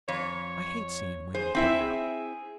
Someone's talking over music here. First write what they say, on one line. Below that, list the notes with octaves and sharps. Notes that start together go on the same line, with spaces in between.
'I hate seeing women put out.
F2 C#5
G#4 C5
C4 E4 E5
G#4